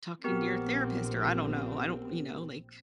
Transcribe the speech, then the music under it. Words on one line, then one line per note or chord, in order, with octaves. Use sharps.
“talking to your therapist,” or I don't know. I don't you know, like
A#1 B3 C4 G4 A#4